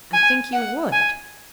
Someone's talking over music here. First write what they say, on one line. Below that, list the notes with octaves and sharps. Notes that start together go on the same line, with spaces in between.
"I think you would."
G#5
F#5
G#5